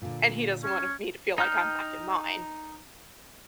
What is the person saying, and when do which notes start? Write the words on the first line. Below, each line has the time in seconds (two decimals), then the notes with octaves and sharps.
and he doesn't want me to feel like I'm back in mine,
0.02 A#2 D3
0.63 C#4
1.38 D#4 G5 F6 G6